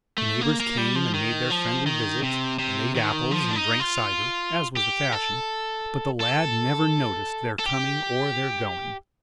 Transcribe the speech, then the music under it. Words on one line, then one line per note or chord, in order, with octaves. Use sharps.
The neighbors came and made their friendly visits, and ate apples and drank cider, as was the fashion, but the lad never noticed their coming or their going.
A3
A#3
A#3
G3
F3
D#3
F3
D#3
C3
C3
D#3
F3
D4
D#4
F4
G4
A4
A4
A4
G4